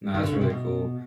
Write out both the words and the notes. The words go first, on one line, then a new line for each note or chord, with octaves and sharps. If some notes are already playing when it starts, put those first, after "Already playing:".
Nah, that's really cool.
D#3
D3
C#3
C3
B2